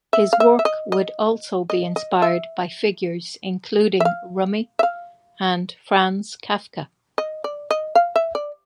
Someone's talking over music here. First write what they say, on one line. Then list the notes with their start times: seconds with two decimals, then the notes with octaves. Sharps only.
His work would also be inspired by figures including Rumi and Franz Kafka.
0.13 E5
0.33 F5
0.40 E5
0.59 E5
0.65 D#5
0.92 D#5
1.70 D#5
1.96 D#5
2.22 E5
4.00 E5
4.05 F5
4.79 E5
4.83 F5
7.18 D#5
7.44 D5
7.71 D#5
7.95 F5
8.16 E5
8.35 D5